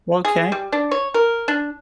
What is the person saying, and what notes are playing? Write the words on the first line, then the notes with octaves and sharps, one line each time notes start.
Well 'kay.
G#4
G3
D4
C#5
A#4
D4